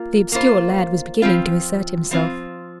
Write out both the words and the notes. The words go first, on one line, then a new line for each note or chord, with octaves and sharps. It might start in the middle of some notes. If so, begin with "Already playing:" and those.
The obscure lad was beginning to assert himself.
Already playing: A#3 F4
A#3 F4 C5
F3 C4 F4
F3 C4 F4